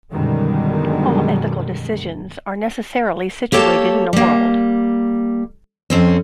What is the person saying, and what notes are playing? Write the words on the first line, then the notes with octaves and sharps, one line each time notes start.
All ethical decisions are necessarily situated in a world.
F#2 B2 D3 D#3 G3 G#3
A#3 G4 A4 C#5 A5
G3 A#3
F2 C4 C#4